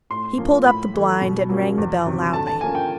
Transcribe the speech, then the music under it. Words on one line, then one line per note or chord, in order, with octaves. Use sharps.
He pulled up the blind and rang the bell loudly.
A2 C6
F3 A#3 C#4
A2 B5
E3 A3
B2
F#3 A#3 C#4
E2
C3 D#3 F#3
D3 A5
A5
F3 A#3 C#4 G#5
G5